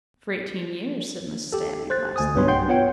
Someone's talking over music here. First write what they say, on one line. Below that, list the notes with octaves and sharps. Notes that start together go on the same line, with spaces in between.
"For eighteen years," said Mrs. Danby placidly.
G4 A4
C5 F#6 A6
D2 G#5 D#6
B1 G2 B2 B4 C#5 C6
F#5 G5 C6 G6
B3 F4 C#5 F#5 G5